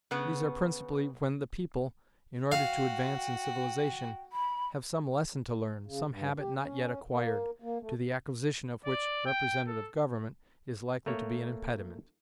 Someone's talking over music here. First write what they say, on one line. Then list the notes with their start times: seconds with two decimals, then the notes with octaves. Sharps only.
These are principally when the people, in order to advance in civilization, have some lesson to learn, some habit not yet acquired, to the acquisition of which representative government is likely to be an impediment.
0.11 C#3 B3
2.52 F#4 F5 G5
4.32 B5
5.86 C#3
6.08 G2
6.39 G4
6.59 C#4
7.10 A#3
7.62 A#3
7.81 A3
8.85 D5
9.26 G5
9.68 A4
11.06 A3 A#3 C#5